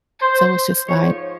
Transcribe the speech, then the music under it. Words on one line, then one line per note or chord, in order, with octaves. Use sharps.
So it's just like,
C5
G#2 F3 C#5